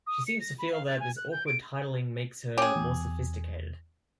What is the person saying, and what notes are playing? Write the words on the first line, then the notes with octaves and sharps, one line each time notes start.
She seems to feel that this awkward titling makes her more sophisticated.
D#6
C#7
A#6
B5
F5
A6
G#5
F#6
G6
D7
C#4 G4 G#4
E2